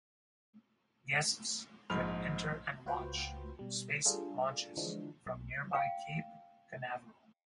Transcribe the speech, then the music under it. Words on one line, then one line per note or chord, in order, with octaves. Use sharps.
Guests could enter and watch space launches from nearby Cape Canaveral.
A#1 G#2 B5 F6 F7
C#2 F4 F#4 B4 C5 G5
B2 G3
G3 D4 F4 G#4 A4
D3 E3 F3 G#3 D4
B1
F5 G5